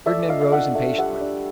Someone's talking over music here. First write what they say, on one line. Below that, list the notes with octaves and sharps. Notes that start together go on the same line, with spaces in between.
Fernand rose impatiently.
A3 D5 E5
F4 D#5 F5
F5
D4 E5 F#5
A3
G3 E5 F#5
D4